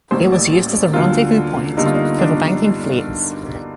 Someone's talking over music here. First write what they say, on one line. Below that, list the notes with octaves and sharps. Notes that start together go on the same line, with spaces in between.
It was used as a rendezvous point for the banking fleets.
A1 A2 G3 A#3 C5
D5
D2 D3 G3 A#3 F4
G1 G2 D3 G3 A#3 D#4
F4
D#4
D4